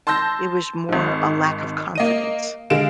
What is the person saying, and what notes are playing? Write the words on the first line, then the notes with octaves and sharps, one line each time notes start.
It was more a lack of confidence.
A5 C6 E6 G6 A#6
G#1 G#2
A#3 D#5 D#7
D3 G#3 F5 D7 E7